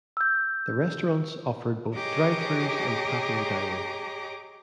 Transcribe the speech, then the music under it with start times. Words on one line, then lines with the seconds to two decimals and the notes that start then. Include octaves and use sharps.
The restaurants offered both drive-thrus and patio dining.
0.17 E6 G6
1.95 G4 G#4 C#5 D#5 A#5 D6